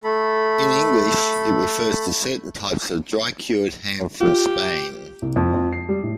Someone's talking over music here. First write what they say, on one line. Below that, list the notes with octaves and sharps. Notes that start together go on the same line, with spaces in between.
In English it refers to certain types of dry-cured ham from Spain.
A3 A4 B5
F4 G4
C2
F2
F2
C7
G3
A2